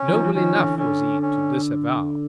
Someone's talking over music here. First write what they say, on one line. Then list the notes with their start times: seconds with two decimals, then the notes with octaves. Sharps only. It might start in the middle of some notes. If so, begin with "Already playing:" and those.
Noble enough was he to disavow!
Already playing: C#4
0.08 E3
0.13 D#3 F3
0.24 E3
0.35 D#3 F3 C#4
0.56 D3 E3
0.78 D3 C#4
1.22 C#4